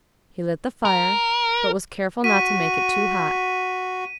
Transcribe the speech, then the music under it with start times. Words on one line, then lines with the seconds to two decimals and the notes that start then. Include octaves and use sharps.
He lit the fire, but was careful not to make it too hot.
0.85 A#4
2.24 F#4 B6 D#7